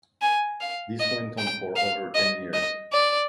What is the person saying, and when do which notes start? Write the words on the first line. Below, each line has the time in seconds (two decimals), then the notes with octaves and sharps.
This went on for over ten years.
0.21 G#5
0.61 F5
0.99 D#5
1.38 G5
1.76 F5
2.15 D#5
2.53 D#5
2.92 D5